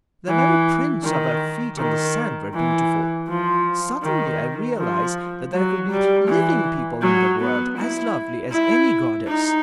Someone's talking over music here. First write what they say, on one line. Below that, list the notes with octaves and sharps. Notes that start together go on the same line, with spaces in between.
The very prints of her feet on the sand were beautiful. Suddenly I realized that there could be living people in the world as lovely as any goddess....
E3
D#3
D#3
E3
F3
D#3
F3
F#3
G3
E3
F#3
B3
E4
E4
D#4